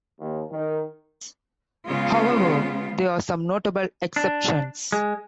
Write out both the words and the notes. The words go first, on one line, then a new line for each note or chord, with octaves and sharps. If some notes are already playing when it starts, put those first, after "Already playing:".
However, there are some notable exceptions.
D#2
D#3
C#3 G#3 B3 F4
D4
G#3